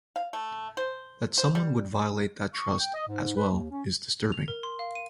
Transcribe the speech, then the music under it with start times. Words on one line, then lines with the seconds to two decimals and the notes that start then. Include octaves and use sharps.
That somebody would violate that trust as well, is disturbing.
0.16 F5
0.33 A3
0.77 C5
1.38 C5
1.55 G3
2.54 C#6
2.78 G5
2.94 D#5
3.08 G#2
3.36 B4
3.51 D#2
3.71 C#4
4.32 F7
4.48 A#4
4.63 C6
4.79 F5
4.95 D#7